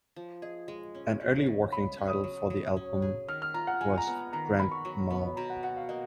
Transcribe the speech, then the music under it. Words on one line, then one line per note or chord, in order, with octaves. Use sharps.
An early working title for the album was "Grand Mal".
F3
G#4 D#5
G#3
C#4
C#3
C#3
G#3 B5
C#4
D#6
F#3
F#3
C#4
G#4
D#3 F6
F6
F4 A#5
F#5
G#3 G#5
A#5
B3
D#3 A#5
F#4 B5
C#6
F#3
B3
B2 A#5
F#5
F#4 F#5
F5
A#3 D#5